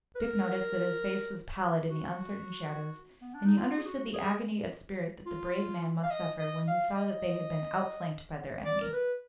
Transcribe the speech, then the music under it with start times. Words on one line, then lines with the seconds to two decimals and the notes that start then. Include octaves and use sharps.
Dick noticed that his face was pallid in the uncertain shadows, and he understood the agony of spirit that the brave man must suffer when he saw that they had been outflanked by their enemy.
0.15 B4
0.20 A#4
1.89 F#4
3.21 B3
3.34 D4
3.45 D#4
3.57 F4
3.78 G#4
3.86 F#4
4.13 G#4
5.26 F4
6.03 F5
6.11 D#5
6.39 D#5
6.68 F5
6.96 D#5
8.65 D5
8.81 A#4
8.93 B4